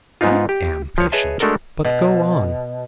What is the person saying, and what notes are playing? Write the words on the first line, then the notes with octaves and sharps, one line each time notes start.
"I am patient, but go on."
G#2 B3 D#4 F4
G4
F3 C#5
G#4 B4 C#5 D#5 E5 A5
G#3 A3 D4 F#4 A4 A#4
B2